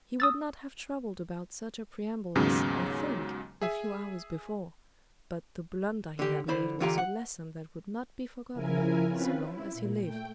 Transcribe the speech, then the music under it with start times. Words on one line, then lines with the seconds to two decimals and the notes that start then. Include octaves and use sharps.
He would not have troubled about such a preamble as "I think" a few hours before, but the blunder he had made was a lesson that would not be forgotten so long as he lived.
0.20 D#6 E6 A6
2.35 D#2 G#2 C#3 F#3 B3 C#4
3.61 G#4 E5 G#5
6.19 D3 G4
6.48 D3 E4 C5 B5
6.80 D3 E3 F4 G4 F5 A#5
6.98 F#5
8.53 C#3 F3 E4 A#4 G#5
9.06 C4 C#4 F4 B4
9.41 E4
9.73 A#2
10.01 A3 G5